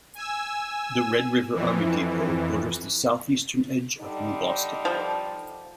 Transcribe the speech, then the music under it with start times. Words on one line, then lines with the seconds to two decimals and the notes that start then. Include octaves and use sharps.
The Red River Army Depot borders the southeastern edge of New Boston.
0.15 G#5 E6
1.54 F2 E3
4.00 D3 G3 D#4
4.85 F3